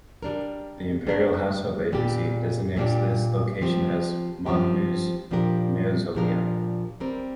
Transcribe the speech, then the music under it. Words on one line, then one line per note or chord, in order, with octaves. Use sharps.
The Imperial Household Agency designates this location as Monmu's mausoleum.
G3 D4 A#4
G3 D4 A#4
A#2 G3 D4 G4
A#2 G3 D4 G4
F3 C4 G4
F3 C4 G4
A#2 F3 D4 G4 A#4
A#2 F3 D4 G4 A#4
G3 C4 A#4